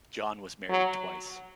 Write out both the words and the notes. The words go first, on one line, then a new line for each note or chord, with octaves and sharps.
John was married twice.
F#3